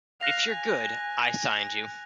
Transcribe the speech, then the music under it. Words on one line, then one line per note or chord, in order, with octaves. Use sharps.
If you're good, I signed you.
F5 F#6 A#6 F7
G#5